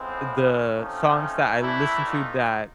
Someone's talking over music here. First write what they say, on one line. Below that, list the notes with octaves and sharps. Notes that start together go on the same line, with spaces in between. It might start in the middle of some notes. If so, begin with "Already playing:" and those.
The songs that I listen to that
Already playing: A2 F3 G#3 B3 C4
C#4
C3 F3 A3 C4 C#4 D#4
C3 E3 A3 D4 E4
D#4 F4